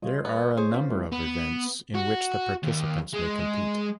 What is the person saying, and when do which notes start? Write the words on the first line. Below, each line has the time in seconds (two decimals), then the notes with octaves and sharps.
There are a number of events in which the participants may compete.
0.02 G3 F4 C#5 D#5
0.25 B3 A4
0.57 G#4 C5 C#5
0.74 B3 C#4 F4
0.89 D3 E3 G3 A3 C4 E4
1.12 B3
1.94 F#4
2.63 D#2
3.14 G#3